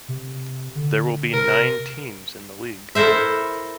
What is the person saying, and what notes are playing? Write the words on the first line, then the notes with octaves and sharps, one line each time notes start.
There will be nine teams in the league.
C3
D3
C3 A#4
E4 A4 A#4 C5 E5